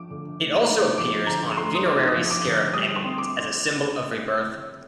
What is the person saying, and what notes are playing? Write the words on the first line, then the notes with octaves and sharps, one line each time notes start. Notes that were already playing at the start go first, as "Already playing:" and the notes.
It also appears on funerary scarab amulets as a symbol of rebirth.
Already playing: F3 D6
D3
A3
D#4
F3 D6
D3 A#5
A3 C6
D#6
D#4 D6
D#6
F3
D6
D3
G3 D#6
C6
C4
D6